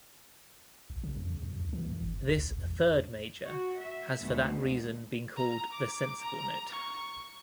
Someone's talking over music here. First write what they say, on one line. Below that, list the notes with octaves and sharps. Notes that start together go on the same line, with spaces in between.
This third major has for that reason been called the sensible note.
A#1
C#3
F2
D#2
F#2
D2
E3
F#2
F#1
D2
A1
E2
F#4
E5
D2 G#2 B2
A#5
D6
A#5
C#6